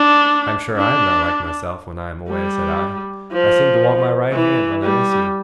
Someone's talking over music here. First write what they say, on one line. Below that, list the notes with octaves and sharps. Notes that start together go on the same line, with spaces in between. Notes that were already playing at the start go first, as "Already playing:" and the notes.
'I am sure I am not like myself when I am away,' said I. 'I seem to want my right hand, when I miss you.
Already playing: D4
D4
G3
F3
E3
G3